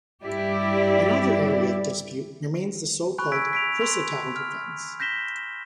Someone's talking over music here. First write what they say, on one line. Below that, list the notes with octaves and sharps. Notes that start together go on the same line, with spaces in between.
Another area of dispute remains the so-called chrysotile-defense.
G2 G3 E4 G4 D5
G#5 B5 C#6 F#6
G#5 E6 G#6 B6 D7
B6 D7 F7
C6 F7
F6
G6 A#6 B6 E7 G7